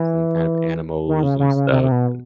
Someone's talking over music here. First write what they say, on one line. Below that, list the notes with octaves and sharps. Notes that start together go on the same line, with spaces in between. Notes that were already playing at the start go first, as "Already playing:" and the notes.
some kind of animals and stuff and
Already playing: E3
D#3
C#3
C#3
C#3
C3
C3
B2